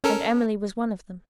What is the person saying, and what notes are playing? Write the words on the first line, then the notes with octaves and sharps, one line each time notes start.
And Emily was one of them.
C#4 A4 A#4